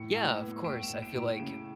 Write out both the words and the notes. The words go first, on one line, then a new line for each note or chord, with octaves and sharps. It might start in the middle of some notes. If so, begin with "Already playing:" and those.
Yeah, of course. I feel like
Already playing: A2 C#7
A2
B3
A2 D7
E7
A2
D7
A2
C#3 D7